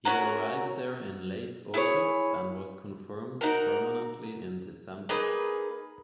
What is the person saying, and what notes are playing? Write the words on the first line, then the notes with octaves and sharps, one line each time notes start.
He arrived there in late August and was confirmed permanently in December.
C#4 F#4 A#4
E4 G#4 C#5
D#4 F#4 A#4
A#3 D#4 G#4 B4